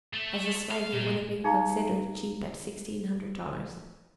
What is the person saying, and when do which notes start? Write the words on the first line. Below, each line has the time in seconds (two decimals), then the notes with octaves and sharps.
As a slave, he would have been considered cheap at sixteen hundred dollars.
0.14 A3
0.71 F5
0.93 A#2
1.44 D#4 G#4 F5 A#5